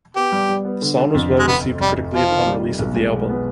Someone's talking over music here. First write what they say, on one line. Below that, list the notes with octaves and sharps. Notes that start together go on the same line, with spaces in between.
The song was well received critically upon release of the album.
B3 G4
G3
G3
B3
D3
D3
F2
F1
G#3
F1 B3
F1
F1 G3
F1
F3 F4
D#3
G3
F4
B1
G#3
B2
B3